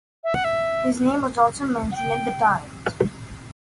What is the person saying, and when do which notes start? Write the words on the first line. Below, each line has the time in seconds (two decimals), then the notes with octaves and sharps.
His name was also mentioned in "The Times".
0.24 E5
0.35 F#5
0.44 E5
1.92 F#5
1.96 G5